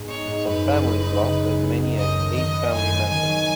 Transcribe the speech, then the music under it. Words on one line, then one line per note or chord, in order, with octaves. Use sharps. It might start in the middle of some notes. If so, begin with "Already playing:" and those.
Some families lost as many as eight family members.
Already playing: G#2 G#3 B3
D#4 C#5
G#2
F#2 B4
F#1
F#3
D#4
C#3
C#2
B3
D#4
F#2 D#5
G#1
D#3 D#5
B3
F#2 G#5
G#1
D#3 G#5
F#3